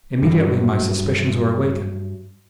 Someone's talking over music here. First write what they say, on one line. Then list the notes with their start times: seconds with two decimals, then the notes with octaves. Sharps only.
Immediately my suspicions were awakened.
0.22 G2 F#3